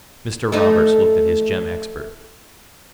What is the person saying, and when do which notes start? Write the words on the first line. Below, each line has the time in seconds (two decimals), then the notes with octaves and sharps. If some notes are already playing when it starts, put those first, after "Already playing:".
Mr. Roberts looked at his gem expert.
0.52 A3 D#4